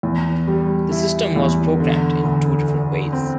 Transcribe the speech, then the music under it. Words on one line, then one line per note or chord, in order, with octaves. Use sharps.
The system was programmed in two different ways.
E2
G3
E4
E2
D3
D2
D3
C4